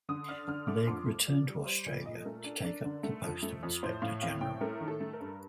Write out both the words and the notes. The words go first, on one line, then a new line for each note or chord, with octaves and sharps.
Legge returned to Australia to take up the post of Inspector General.
D3 D#6
D4 F6
D3 F6
A3 D6
D6
F2 C6
A3
F3 D5
G3
G3 C5
A#2 D5
A#2 D#5
A4
A3 A#4
D4
D4
D3
A3
F2
A3
F2
A2 C5
A2 F5
C4 F5
A2 G5
A3 A#4
D#3
A4
A3
A#4
G2